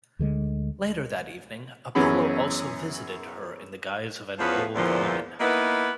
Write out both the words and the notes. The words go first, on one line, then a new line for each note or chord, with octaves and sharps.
Later that evening Apollo also visited her in the guise of an old woman.
D2 D3 D#3 G#3
F#2 E3 B3 C#4 G#4 B5
E2 F3 B3 C#4 F4 B4
E2 A#2 D3 E3 F3
A#3 B3 D#4 E4 B4